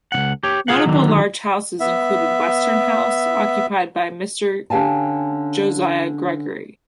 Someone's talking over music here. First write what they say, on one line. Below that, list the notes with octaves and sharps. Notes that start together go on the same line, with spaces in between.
Notable large houses included Western House, occupied by Mr Josiah Gregory.
C#2 C#3 F#5
G4 C#5
F4 G#4 F5 F#5
D3 D#3 F#3
B3 E5
D3 C#4 G4 F5 G#5 A5